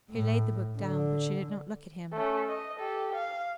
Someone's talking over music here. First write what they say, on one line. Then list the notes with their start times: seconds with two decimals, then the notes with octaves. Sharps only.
She laid the book down, but she did not look at him.
0.11 A2
0.79 D3
2.13 A3 C#4
2.49 D#5
2.79 G4 A4
3.15 F5